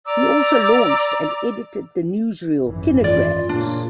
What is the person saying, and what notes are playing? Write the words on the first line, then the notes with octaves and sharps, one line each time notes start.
He also launched and edited the newsreel "Kinograms".
D5 A#5 D6 E6
G#1 F#2 E3
F4 D5
A#2 C#3 A#3 D4